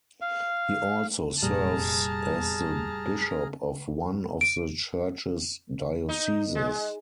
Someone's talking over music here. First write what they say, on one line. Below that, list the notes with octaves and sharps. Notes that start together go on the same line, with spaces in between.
He also serves as the bishop of one of the Church's dioceses.
F5
F1 A#2 G3 G#4 A5 A#5 F6
D7
D#4
G#3